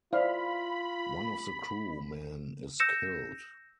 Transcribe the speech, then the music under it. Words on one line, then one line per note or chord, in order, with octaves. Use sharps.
One of the crew men is killed.
E4 F4 C5 D5 F5 B5
E6 G6 A#6 C#7 E7